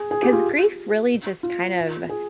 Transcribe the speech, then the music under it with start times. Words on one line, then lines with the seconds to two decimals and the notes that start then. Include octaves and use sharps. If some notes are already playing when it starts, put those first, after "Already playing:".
'cause grief really just kind of
Already playing: G#4
0.11 G#4
0.23 G4
0.33 F4
1.43 F4
2.09 G#4